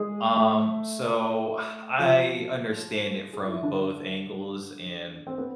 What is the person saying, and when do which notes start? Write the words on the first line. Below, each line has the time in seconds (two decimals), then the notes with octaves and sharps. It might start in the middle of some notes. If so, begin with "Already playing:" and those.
Um, so I understand it from both angles and,
Already playing: G#3 G#4
0.36 A3 A4
1.99 F3 F4
3.33 G#4
3.43 F4
3.52 E4
3.63 D3 D4
5.27 C4
5.38 B3